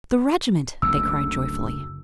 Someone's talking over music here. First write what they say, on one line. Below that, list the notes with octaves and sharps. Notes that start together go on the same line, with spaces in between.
"The regiment!" they cried joyfully.
F#1 D2 E6